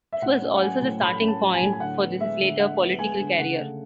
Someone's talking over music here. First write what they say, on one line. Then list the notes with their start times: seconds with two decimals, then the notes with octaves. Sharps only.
This was also the starting point for his later political career.
0.13 E5
0.22 A2 F#5
0.42 C#4
0.55 F#5
0.62 F#3 G#5
0.81 A2
1.01 A2 B5
1.21 C#4
1.28 A5
1.41 F#3
1.54 G#5
1.60 A2
1.73 G#5
1.80 D3 F#5
2.00 B3
2.20 G#3 E5
2.40 D3
2.59 D3 F#5
2.79 B3
2.99 G#3 G#5
3.19 D3
3.39 C#3 F#5
3.59 A3